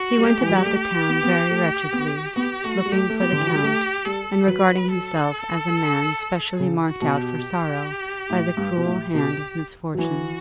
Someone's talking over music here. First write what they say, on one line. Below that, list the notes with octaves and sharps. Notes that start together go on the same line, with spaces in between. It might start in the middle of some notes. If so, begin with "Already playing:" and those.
He went about the town very wretchedly, looking for the Count, and regarding himself as a man specially marked out for sorrow by the cruel hand of misfortune.
Already playing: F#4
G3
A3 G4
E3
F#3
G3
A3
B3
B3
A3
B3
B3 G4
A3 F#4
G3
A3 G4
A3
B3 G4
D3
E3
F#3
G3
A3
G3 A4
F#3 B4
A4
C#3
F#4
B2
G4
A2
G2
B2
A2
B2 G4
F#3
E3 F#4